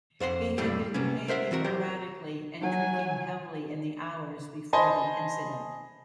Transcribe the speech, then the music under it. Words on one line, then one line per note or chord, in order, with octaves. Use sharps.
He had been behaving erratically and drinking heavily in the hours before the incident.
F2 C5 F#5 C6
B1 F2 A2 G3 A3 G4
C3 A#3 B3 C#4
A#4 C5 E5 F#5
E3 C4 F#4 A#4
F#3 G4 A#4 C5
F#3 G#5
C5 D#5 G#5 A5 B5 C6